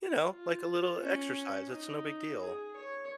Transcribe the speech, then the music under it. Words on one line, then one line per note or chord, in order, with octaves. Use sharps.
you know, like a little exercise, it's no big deal.
F4
C#4
D#4
G#4
C#5